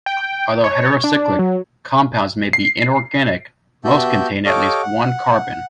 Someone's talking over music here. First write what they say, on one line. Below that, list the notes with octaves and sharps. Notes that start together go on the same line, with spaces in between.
Although heterocyclic compounds may be inorganic, most contain at least one carbon.
G5
C#5
D4
F#3
C7
B3 F#4 G4 E5 A5 G6
G4 A4 C#5 D#5 F5 D6
F#5